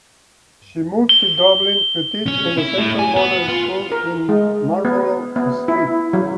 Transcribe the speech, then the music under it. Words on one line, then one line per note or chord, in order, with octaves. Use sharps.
She moved to Dublin to teach in the Central Model School in Marlborough Street.
G7
C#4
E4
A2
G#5
B3
F4
A#4
G#3
B3
B3
E4
F#3